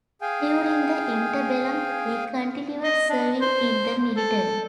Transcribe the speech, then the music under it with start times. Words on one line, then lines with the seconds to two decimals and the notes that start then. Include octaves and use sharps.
During the interbellum he continued serving in the military.
0.22 G#4 F5 G5 G#5
2.84 D#5
3.10 D4
3.41 C5
4.17 A4